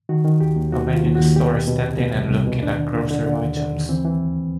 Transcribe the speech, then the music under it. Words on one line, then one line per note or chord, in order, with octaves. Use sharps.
A man in a store is standing and looking at grocery items.
D#3 F#4
D#3
D#2 G4
D#2
D#2 F#4
D#2
F4
D#2
F#4
D#2
B2 G4
B2
B2
C2
B2
C2
C2
B2
D#2 D4
D3
D3
D3
D3
D#2
D3
D#2
E3 C4
E3
D2